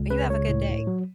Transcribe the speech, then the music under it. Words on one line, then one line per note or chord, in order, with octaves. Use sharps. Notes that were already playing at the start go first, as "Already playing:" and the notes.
Well, you have a good day.
Already playing: C#2
C#3 B4
C#2 C#5
A2
A2
F#3